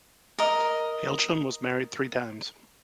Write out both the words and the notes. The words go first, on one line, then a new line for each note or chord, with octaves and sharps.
Hailsham was married three times.
A#4 D#5